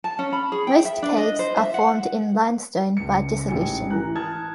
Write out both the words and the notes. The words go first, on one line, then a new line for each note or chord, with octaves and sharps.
Most caves are formed in limestone by dissolution.
A5
C#4
B5
G#4
G5
E5
D4
D#5
C5
E5
F#5
C#2 C#7
A1 G#2 G#5 C#7
E3 A#5 F#6
A5 D#6 F6 G#6